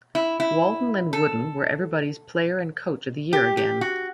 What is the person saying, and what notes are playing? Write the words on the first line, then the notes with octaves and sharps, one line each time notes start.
Walton and Wooden were everybody's Player and Coach of the Year again.
E4
E4
A4
G4
G4
F#4